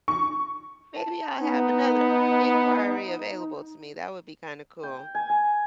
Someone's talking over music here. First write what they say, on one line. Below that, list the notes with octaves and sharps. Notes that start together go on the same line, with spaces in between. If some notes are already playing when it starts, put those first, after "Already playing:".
maybe I'll have another inquiry available to me, that would be kinda cool.
C#6
A5
B3 D#4
G5
G#5
G#5